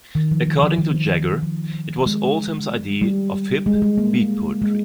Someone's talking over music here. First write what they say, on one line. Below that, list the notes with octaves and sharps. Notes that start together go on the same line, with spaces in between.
According to Jagger, it was Oldham's idea of hip, Beat poetry.
D#3
F3
G3
F3
D#3
F3
G#3
G3
G#3
G#3
A#3
G#3